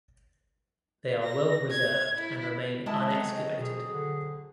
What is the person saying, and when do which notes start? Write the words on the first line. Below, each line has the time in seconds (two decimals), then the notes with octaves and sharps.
They are well preserved and remain unexcavated.
1.24 A#6
1.71 G#6
2.17 E4
2.86 A2 G#3 E4 E5 A5
3.10 F#3 A3 C4
3.33 D#5
3.58 B2 G#4
3.93 D3